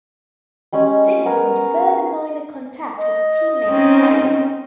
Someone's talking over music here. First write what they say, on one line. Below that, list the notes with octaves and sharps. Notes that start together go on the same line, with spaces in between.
Diniz made further minor contact with teammate Salo.
G3 G#3 C#4 G#4
B3 G#4 A#4
D#5
C4 C#4 D#4